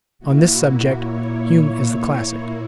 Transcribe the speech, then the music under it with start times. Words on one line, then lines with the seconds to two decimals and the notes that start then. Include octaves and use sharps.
On this subject Hume is the classic.
0.19 A#2 A#3 E4 F#4
0.99 C#5